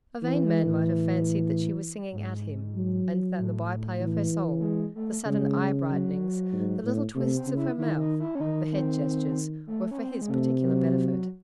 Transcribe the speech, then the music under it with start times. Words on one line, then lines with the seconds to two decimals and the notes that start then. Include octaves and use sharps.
A vain man might have fancied that she was singing at him, and that the by-play of her song--the sudden eye-brightenings, the little twists of her mouth, the head gestures, were for his particular benefit.
0.23 E3 C4
0.45 G#3
0.65 A2
2.12 G#2
2.75 F#3
3.38 A2
4.00 E3
4.59 A3
4.63 G#3
4.95 A3
5.26 C#3 G#3
5.90 F#3
6.53 G#2
6.83 A2
7.15 C3 A3
7.36 C4
7.46 C#3
7.57 E4
7.78 D#3 E4
8.00 D#4
8.20 E4
8.35 C#4
8.41 D#3 D#4
8.72 C4
9.67 A3
9.91 C#4
9.98 C4
10.21 G#3
10.30 C3 A3
10.62 F#3